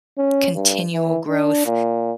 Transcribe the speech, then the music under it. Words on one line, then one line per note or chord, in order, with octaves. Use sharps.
continual growth,
C#4
G2
E3
D4
A#2